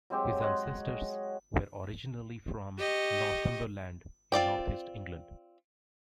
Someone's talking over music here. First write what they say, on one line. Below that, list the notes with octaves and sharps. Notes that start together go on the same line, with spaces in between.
His ancestors were originally from Northumberland in North East England.
F#3 G#3 C4 G4
C#5 D#5 F#5 C6
G4 D#5 C#6
C4 F4 D5 G5